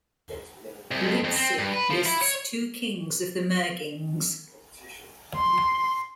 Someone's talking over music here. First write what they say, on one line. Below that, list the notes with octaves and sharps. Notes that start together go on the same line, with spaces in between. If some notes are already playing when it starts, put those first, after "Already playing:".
Widsith lists two kings of the Myrgings.
C2
F2
F2
C4
G2
B4
F3
E4
C#5
C6